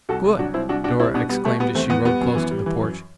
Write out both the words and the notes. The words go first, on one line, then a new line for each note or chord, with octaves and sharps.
"Good!" Dora exclaimed as she rode close to the porch.
C2 F#4 A4
C2
F#3 D4 F#4
C2 C4 E4
C2 D4 F#4
C2 D4 F#4
G3 C4 E4
B2 B3 D4
G3 B3
B2 A3
G3 B3
E2 A3 C4
E2 B3
G3 B3
F#2
E3
G3
E3
F#2